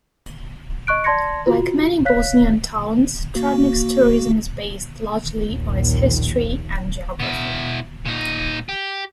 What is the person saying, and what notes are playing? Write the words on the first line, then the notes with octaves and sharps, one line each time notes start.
Like many Bosnian towns, Travnik's tourism is based largely on its history and geography.
D#5 C#6 F#6 D7
D5 A5 C6 G#6 A#6 C#7
F4 F#4
C#5 F5 F#6 B6
A#3 F#4
A#1 D#2 A#2
B2 E4
A#2 D#4
G4